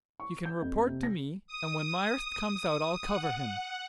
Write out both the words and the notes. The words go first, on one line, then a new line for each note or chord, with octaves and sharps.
You can report to me, and when Myerst comes out I'll cover him.
C#6
G6
F2
C3
A#6
D#6
F#5